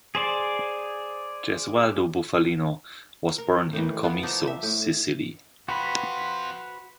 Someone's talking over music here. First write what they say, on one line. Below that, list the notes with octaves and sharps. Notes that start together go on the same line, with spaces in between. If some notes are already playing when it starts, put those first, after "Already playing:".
Gesualdo Bufalino was born in Comiso, Sicily.
G#4 C5 D5
A#4
A2 D#3 E3
B3 F4
F3 D4 D#4
E5
A2
C4 F4 F#4 B4 B5